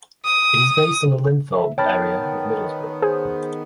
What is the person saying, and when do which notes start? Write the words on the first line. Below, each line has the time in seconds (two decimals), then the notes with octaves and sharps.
It is based in the Linthorpe area of Middlesbrough.
0.25 D#6
1.56 E5
1.78 D#3 B3 C#5 G5 A5 B5 F6 A6
3.02 G#4 C5